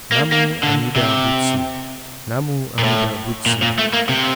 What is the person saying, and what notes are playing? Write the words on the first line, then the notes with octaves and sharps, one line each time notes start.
"Namu Amida Butsu, Namu Amida Butsu."
A#3
A#3
D3
C3
A#2
A2
A#2
A#2
A3
A#3
C3